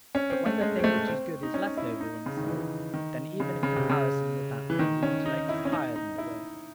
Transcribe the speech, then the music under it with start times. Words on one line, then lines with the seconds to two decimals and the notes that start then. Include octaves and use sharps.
But when the thing which is good is less noble than the soul, then even in comparison with that thing the intellect is higher than the will.
0.15 C#4
0.30 C4
0.46 A3
0.61 G#3
0.79 C4
0.84 A3
1.08 C4
1.43 D#4
1.54 C#4
1.77 E4
2.01 D#4
2.26 C#3
2.37 D#3
2.47 E3
2.93 D#3
3.40 C#3
3.63 C#3
3.76 C3
3.90 C#3
4.70 E3
4.79 D#3
5.03 C#4
5.26 D#4
5.49 E4
5.65 C#4
5.72 D#4
5.96 D#4
6.18 E4